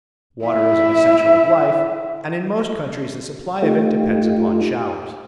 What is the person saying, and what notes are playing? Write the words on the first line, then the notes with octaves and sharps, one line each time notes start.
Water is an essential of life, and in most countries the supply of it depends upon showers.
E4 E5
A3 D#4 F4 G4